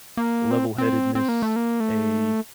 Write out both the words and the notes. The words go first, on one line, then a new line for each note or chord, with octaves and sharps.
level-headedness, a,
A#3
C4
C4
C4
A#3
A3
A#3
A3